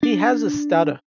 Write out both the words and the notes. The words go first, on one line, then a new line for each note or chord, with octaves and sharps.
He has a stutter.
D4